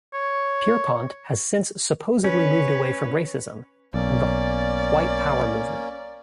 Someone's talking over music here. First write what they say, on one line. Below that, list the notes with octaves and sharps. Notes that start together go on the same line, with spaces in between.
Pierpont has since supposedly moved away from racism and the white power movement.
C#5
C#4 B4 C#5
B1 A#3 C#4 D5